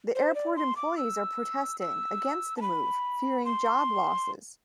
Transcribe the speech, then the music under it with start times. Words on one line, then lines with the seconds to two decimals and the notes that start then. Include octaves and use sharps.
The airport employees are protesting against the move fearing job losses.
0.15 C5
0.35 D5
0.57 C6
0.76 D6
0.97 E6
1.80 E6
2.57 A5
2.62 B5
3.45 C6